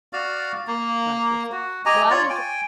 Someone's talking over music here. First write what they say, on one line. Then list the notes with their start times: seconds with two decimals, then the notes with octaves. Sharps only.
Right, yes, sir, well, I've enjo
0.13 F#4 D5 F5
0.67 A#3
1.52 F#4
1.86 G4 D#5 G#5 A#5
2.10 F4 C#5 D5
2.30 G5 G#5